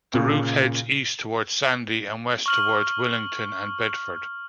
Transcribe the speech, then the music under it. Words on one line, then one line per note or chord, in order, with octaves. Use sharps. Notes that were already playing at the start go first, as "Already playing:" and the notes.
The route heads east towards Sandy and west towards Willington and Bedford.
A#2 C#3
C#6 F6 F#7